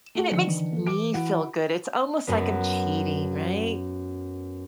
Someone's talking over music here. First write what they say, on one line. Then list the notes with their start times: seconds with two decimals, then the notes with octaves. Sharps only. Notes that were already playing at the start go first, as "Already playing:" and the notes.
And it makes me feel good, it's almost like I'm cheating, right?
0.15 A3 F#4 G#4
0.31 D3 D#3 F3 C#7
0.47 E3
0.72 A#3 A4
0.87 D6 D7
1.14 E4 F#4 F#5
2.27 F#2 B3